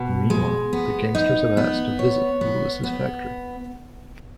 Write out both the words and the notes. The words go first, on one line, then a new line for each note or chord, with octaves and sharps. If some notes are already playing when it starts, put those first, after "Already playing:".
Meanwhile, the gangsters have asked to visit Louis's factory.
Already playing: B2
G#3
B3
D#4
B3
C#5
B3
B3